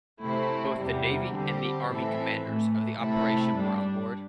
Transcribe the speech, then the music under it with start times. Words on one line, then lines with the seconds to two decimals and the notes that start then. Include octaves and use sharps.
Both the navy and the army commanders of the operation were on board.
0.22 C3 A3 C4 E4
0.77 E2 C3 G3
1.33 D3 G3 C4 G4
1.89 A2 E3 C4 A4 E5
2.43 A2 E3 A3
2.99 C3 A3 E4 A4
3.54 G2 G3 D4